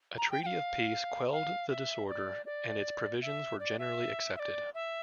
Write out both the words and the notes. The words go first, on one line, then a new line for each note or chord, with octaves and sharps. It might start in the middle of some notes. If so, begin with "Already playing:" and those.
A treaty of peace quelled the disorder, and its provisions were generally accepted.
A#5
G5
G5
F5
F5
E5
D5
D5
E5
D5
E5
E5
D5
E5